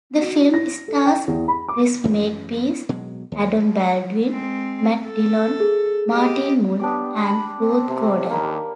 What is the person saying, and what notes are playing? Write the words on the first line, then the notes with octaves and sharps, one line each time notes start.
The film stars Chris Makepeace, Adam Baldwin, Matt Dillon, Martin Mull, and Ruth Gordon.
F#4
A#6
A4
G5
E2
B5
D6
A1 F#2 E3 F3
B2 F#3 G#3
D#2
G#3 C4
A4
G#4
G4 D#5
B3 D4 G4 D5
B5
C4
C3
D#2 A#3 B5